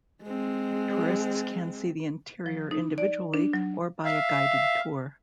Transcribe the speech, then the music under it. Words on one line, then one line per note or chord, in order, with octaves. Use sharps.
Tourists can see the interior individually or by a guided tour.
G#3 C4
F3
D#4
D5
D4
F#3
E5 F5